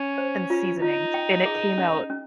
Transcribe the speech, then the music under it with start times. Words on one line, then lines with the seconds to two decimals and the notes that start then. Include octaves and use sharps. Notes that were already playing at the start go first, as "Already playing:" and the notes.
and seasonings, and it came out
Already playing: C#4
0.18 C5
0.50 F4
0.82 D#4 F4
1.14 G5
1.46 G#4
1.78 C#4
2.10 C#4